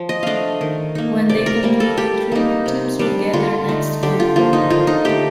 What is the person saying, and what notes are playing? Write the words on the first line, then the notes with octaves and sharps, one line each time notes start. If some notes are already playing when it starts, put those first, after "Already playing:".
When they complete the trip, teams would get their next clue.
Already playing: F3
D#5
A3 D4 D#5 F5
D#3
A#3 D#4
C3 D5
A#4
G3 A#3
A4
G3 G4
A#3 D#4
C3
G3 D4
D3 F4
A3 D#4
D3 G4
F4
F3 A#3 F4
D#4
D3 F4
D#4
A3 D#4 G4